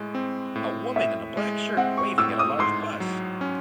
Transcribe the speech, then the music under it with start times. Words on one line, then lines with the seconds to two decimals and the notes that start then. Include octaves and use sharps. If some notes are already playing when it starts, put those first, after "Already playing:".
A woman in a black shirt waving at a large bus.
Already playing: A2 G#3
0.15 C4
0.56 A2
0.96 A2 E5
1.37 G#3
1.77 C4 F#5
1.97 C#6
2.18 A2 E6
2.39 D#6
2.59 G#2 C6
3.00 F#3
3.41 C#4